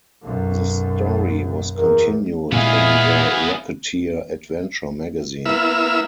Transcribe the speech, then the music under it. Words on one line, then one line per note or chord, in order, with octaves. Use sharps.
The story was continued in the "Rocketeer Adventure Magazine".
B1 F#2
E2 A#4
A#2 G#3 B3 E4 G#4 F5
A#3 B3 E4 E5 E6 F6